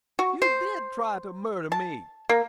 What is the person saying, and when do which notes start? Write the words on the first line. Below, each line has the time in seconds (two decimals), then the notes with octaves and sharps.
"You did try to murder me!"
0.19 F#4
0.42 C5
1.72 A5
2.29 A#3